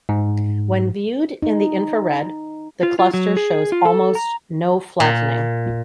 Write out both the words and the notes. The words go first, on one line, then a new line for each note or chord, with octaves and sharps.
When viewed in the infrared, the cluster shows almost no flattening.
G#2
D#4
F4
F4
F#3
G#4
F4
A4
A#5
A#2